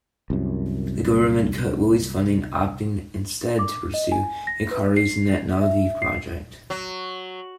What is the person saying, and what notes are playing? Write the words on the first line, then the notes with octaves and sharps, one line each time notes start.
The government cut Wily's funding, opting instead to pursue Hikari's NetNavi project.
C2 F#2
D6
D#5
G#5
A#6
B4
C7
E5
C7
F#3